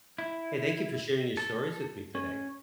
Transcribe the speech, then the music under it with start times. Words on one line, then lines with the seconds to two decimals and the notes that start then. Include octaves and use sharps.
Hey, thank you for sharing your stories with me today.
0.18 E4
1.37 A4
2.15 C#4